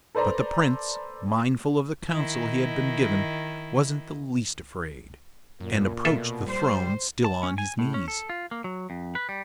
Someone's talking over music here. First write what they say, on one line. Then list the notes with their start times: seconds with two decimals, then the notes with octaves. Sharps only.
But the Prince, mindful of the counsel he had been given, wasn't the least afraid, and approached the throne still on his knees.
0.15 A4 B4 C5 D5 A#5
2.10 D#3 E4 D#5
5.61 F#2 A#2
6.05 B2 F4 A4 E5
6.47 G3 C5
7.24 A5
7.43 C#4
7.58 G#5
7.79 A2
7.94 C#4
8.08 A4
8.29 F4
8.51 A#3
8.64 F#3
8.90 F2
9.15 B4
9.29 G3